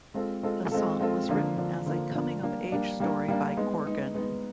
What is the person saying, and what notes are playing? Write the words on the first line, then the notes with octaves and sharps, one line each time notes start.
The song was written as a coming of age story by Corgan.
G#3 C4 F4 A4
G#3 C4 F4 A4
G#3 C4 F4 A4
G#3 C4 F4 A4
D3 F3 A#3 D4
D3 F3 A#3 D4
D3 F3 A#3 D4
D3 F3 A#3 D4
G3 A#3 D4
G3 A#3 D4
G3 A#3 D4
G3 A#3 D4
G#3 B3 D#4
G#3 B3 D#4
G#3 B3 D#4